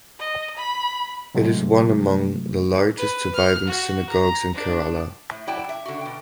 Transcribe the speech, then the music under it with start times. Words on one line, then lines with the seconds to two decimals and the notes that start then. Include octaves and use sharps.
It is one among the largest surviving synagogues in Kerala.
0.20 D#5
0.57 B5
1.34 C3 F#3 G#3 A3
2.97 B4
3.35 F6
3.68 F#4
4.09 A#5
4.55 D4
5.31 A2
5.47 F#3 E4 D5 G5 A5
5.69 E5
5.85 D3 F#4
6.01 B2 G5